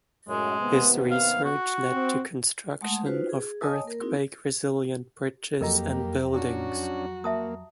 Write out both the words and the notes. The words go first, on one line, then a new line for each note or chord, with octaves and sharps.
His research led to construction of earthquake resilient bridges and buildings.
F#2 A2 G#3
D#2 C3 B3
F5
F#4
C4
G#3 A3 F#5 A5 C6 D#6
D#4 F4 F#4 B4 C5
G#4
C#5 D#5 G#5 A5 D#6
A#3 A#4
C4 D#4 E4 F#4 G#4
F2 F#3 A#3 G4 A4 A#4 D#5 A#5
C#4 D4 F#4
A#3 E5 A5 D#6